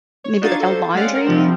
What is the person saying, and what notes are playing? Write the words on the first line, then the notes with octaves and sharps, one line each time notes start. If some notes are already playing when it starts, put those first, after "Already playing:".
maybe, like, a laundry
C#5
D4 D#4 F4 F#4 G#6 A6
A4 C5
G#3 C#4 G4 D5 F5 F#5
A#4
C3 F3 G3 C4